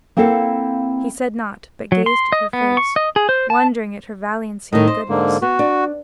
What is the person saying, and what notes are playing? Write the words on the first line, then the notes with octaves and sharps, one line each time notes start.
He said nought, but gazed at her face, wondering at her valiancy and goodness.
A#3 C4 E4 A4 F5 F#5
F#3
C6
D#5
B3
C#6
D#5
G#4
C5
A5
A2 D#3 D#5
C5
G#2 D3 A#3
B3 F#4
D4